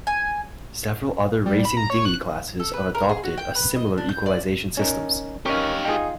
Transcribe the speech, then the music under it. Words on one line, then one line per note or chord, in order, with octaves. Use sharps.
Several other racing dinghy classes have adopted a similar equalisation systems.
G#5
G3
B5
A#5
C#5
F#6
A4
B4
A#4
G#4
F#4
G5
B4
D#5
D4
G6
D5
C#4 D#4 A#4
C#4 D#4 G4 A#4 C#5 F5
D#4 F4 G#4 G5